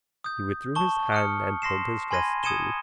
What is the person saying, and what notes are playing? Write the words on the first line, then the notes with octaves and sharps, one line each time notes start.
He withdrew his hand and pulled his dress to.
D#6 G6
A5 C#6 G7
D#6 F6 C#7
C6 A#6 C7 E7
G#5 B5 C6 G#6 A#6 D#7
D#6 G#6 C#7 D#7 E7 G7